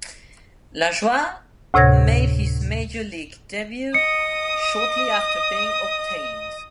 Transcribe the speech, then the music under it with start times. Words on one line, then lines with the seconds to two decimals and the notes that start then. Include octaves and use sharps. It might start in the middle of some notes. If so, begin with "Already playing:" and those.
Lajoie made his major league debut shortly after being obtained.
1.74 D2 A2 C3 C#5 G#6 A#6
3.94 D#5 D#6 C#7